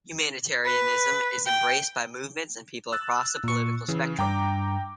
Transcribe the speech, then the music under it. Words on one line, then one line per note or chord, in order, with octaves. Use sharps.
Humanitarianism is embraced by movements and people across the political spectrum.
B4
G5
E6 F#6 A6
A#2 C#6
C#3 E3
G2 G5 A#5 D6